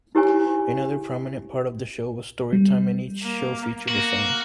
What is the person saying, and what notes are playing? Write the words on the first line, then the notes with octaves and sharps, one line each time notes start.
Another prominent part of the show was story-time and each show featured a song.
E4 G4 C#5 G#5
G3
A#3
A#3 F#4